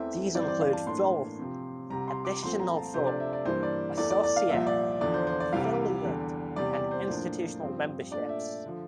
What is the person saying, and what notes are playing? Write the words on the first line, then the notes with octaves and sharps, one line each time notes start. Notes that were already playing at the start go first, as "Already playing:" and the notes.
These include full, additional full, associate, affiliate and institutional memberships.
Already playing: E2 E3 A3 C4 E5
G2 E3 G3 C4 D5
C5
D5
F5
A5
A2 E3 A#3 D4 C6
C3 F3 C4
C2 C3 G3 A#5
C6
D6
C2 A#2 F3 A3 C4 C6
A#5
A5
C3 F3 A3 D4 C5
D5
E5
D5
G2 E3 A#3 D4 C5
D5
E2 E3 A3 D5
D5
D5
F5
C2 A#2 F3 E5
D5
E2 D3 F3 D5
C5
C5
D5
C2 C3 E3 G3 F5
E2 D3 G3
E2 C3 G3 D5
D5
C5
A2 F3 A#3 D4
G2 F3 C4
A#2 A3 D4 D5
E5
D3 F3